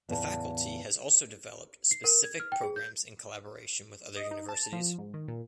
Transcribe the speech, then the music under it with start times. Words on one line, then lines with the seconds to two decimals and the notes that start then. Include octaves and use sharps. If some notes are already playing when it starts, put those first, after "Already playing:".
The faculty has also developed specific programs in collaboration with other universities.
0.09 E2 A2 C#3 G#5 A5
1.91 C7
2.04 A#4
2.24 G#6
2.40 F6
2.52 G5
2.63 G#4
2.76 G6
4.16 D#5
4.31 D#4
4.49 A5
4.73 F3
4.98 G#2
5.14 D#3
5.28 A#2